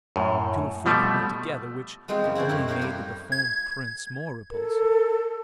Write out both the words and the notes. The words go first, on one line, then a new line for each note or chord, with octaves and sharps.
The two were frequently together, which only made the deformed prince more repulsive.
F#2 A2
B2 F3 G3 A3
E3 G#3 B3 C4 F4
F#2 C#3
C4 E4 F#4 C5 D5 F#5
F#2 A2 A3 E4
B3 E4 A#4 C5 F5 G5
G3 F4 G4
G#6
A4 A#4